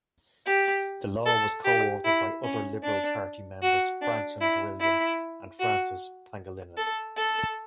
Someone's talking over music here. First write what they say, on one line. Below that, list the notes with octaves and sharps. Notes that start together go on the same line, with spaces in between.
The law was co-authored by other Liberal Party members, Franklin Drilon and Francis Pangilinan.
G4
A4
G4
E4
C#4
D4
F#4
D4
E4
E4
F#4
A4
A4